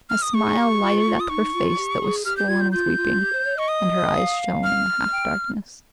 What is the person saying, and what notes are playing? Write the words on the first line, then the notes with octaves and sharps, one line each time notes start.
A smile lighted up her face that was swollen with weeping, and her eyes shone in the half darkness.
F6
D#6
G#4 C#6
G4
F4
F4
D#6
D#4 C#6
F4
G4
G#4
G4 F6
G6
F4 G#6
G6
F4 G6
F4
G4
C5
C#5
D#5 C#6
D#6
F5
F6
G5